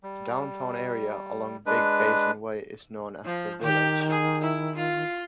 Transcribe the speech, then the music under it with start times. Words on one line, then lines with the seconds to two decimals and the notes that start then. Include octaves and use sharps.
The downtown area along Big Basin Way is known as the Village.
0.03 G3
1.66 G#3 D4 B4
3.25 F3
3.62 D#3 G4
4.09 G#4
4.42 E4
4.75 F4